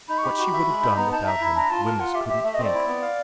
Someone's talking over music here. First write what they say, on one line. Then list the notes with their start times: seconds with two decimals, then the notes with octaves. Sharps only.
What she would have done without him Wemyss couldn't think.
0.09 D#4 B5
0.18 G4 C#6
0.29 B5
0.38 F#4
0.53 E5
0.68 G#3
0.82 D#4
0.97 B3 A#5
1.12 D#4 A5
1.26 E5 A#5
1.41 E4
1.55 D4 A#5
1.70 F4 A5
1.85 A#4 A5
2.00 F4 F#5
2.14 G4 E5
2.29 G4 E5
2.44 A3 E5
2.54 C4 D#5
2.64 D5
2.74 E4
2.87 B3
3.02 F5